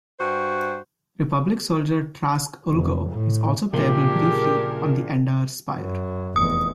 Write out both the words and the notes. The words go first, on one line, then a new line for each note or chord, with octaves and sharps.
Republic soldier Trask Ulgo is also playable briefly on the "Endar Spire".
G2 F#4 C5
F1
A2
A#1 A#2 C#3 D4 G4 G#4 A#4 G7
F#2
F1 E2 D#6